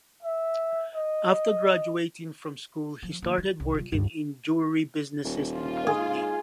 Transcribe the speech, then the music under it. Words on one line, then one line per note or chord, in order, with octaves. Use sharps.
After graduating from school he started working in jewelry businesses in Poultney.
E5
D#5
F3
D#3 A#3
D#3
C2
G3 F4
C#2 G2
D#1
F4
G#2 G#4